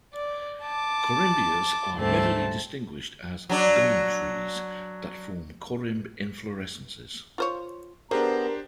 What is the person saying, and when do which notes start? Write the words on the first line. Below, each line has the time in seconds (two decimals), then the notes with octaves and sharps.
Corymbias are readily distinguished as "gum trees" that form corymb inflorescences.
0.13 D5
0.62 A5 D6
1.95 D2 G#2 G3 A3 C4 A5
3.49 F#3 D4
7.38 F4 C5 C#5
8.11 B3 D4 G4 G#4 A#4 C5 A#5